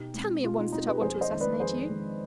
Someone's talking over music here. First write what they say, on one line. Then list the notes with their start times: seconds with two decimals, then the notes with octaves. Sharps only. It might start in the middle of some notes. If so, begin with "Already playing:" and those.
"Tell me at once that I want to assassinate you?"
Already playing: B2 D#4 G4
0.14 G#3 C4
0.43 B2 F4
0.58 D#4
0.72 G#3 C4 D#4
0.87 G4 B4
1.02 F2 G#4 C5
1.21 C5 D#5
1.31 D#3 G#3
1.40 B4 D5
1.60 F2 G#4 C5
1.89 D#3 G#3